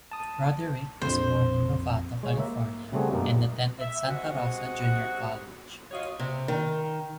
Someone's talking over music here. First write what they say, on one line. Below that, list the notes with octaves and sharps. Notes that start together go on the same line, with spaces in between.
Roderick was born in Novato, California, and attended Santa Rosa Junior College.
A5 D#6
A#1 F2 C5
G#3 C#5
A#3 E5
C#3 G3 A3 C4 F#4 G#4
F#2 B2 G#3 A#3 D4 D#4
E5
C3 G#3 F#4
F4 F#4 C#5 D#5
C3
D#3